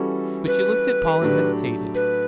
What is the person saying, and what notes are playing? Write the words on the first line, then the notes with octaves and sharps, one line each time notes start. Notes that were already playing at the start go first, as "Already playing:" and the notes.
But she looked at Paul and hesitated.
Already playing: E3 G3 C#4 F#4 A4
B4
A2 F#3 A3 D4 G4
B4